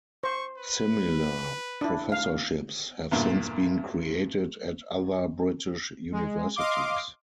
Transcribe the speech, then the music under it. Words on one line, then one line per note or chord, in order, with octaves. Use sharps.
Similar professorships have since been created at other British universities.
C5 C#6
B4
D4 E4
F5
E2 G2 A#2 D3
G#3
D#5 F5 C6 D6